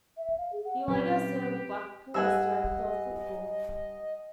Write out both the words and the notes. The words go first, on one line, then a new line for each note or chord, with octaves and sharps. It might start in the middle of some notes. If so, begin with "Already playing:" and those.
He later served Blackpool as director of football.
E5
F5
G#4
F#5
A#2 F#3 C4 C#4 G4 B4
G2 D#5 F#5 G#5 E6